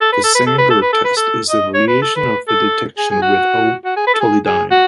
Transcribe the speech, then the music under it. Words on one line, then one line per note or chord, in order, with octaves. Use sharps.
The Sangur test is a variation of the detection with O-Tolidine.
A4
B4
A4
B4
A4
B4
A4
B4
A4
B4
A4
D#5
C#5
B4
A4
B4
A4
G#4
G#4
F#4
F#4
G#4
B4
A4
G#4
G#4
F#4